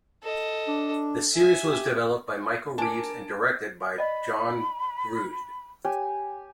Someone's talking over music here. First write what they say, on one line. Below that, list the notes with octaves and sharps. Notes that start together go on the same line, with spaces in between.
The series was developed by Michael Reaves and directed by John Grusd.
A4 D#5
D4
E5 G#5
G4
D4 A#4 G#5 A5 D6 D7
D5 D#5 B5
G4 C#5 G#5